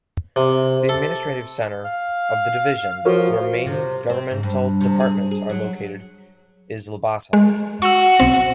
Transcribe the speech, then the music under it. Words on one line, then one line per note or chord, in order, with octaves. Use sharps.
The administrative centre of the Division, where main governmental departments are located, is Labasa.
C3
A4
F5
F3 F#4 A#4 C#5
C3
C4
G#2
G2
C3
G#4
G#4
F#3
G#3
F#4 C#6 E6
B1 C4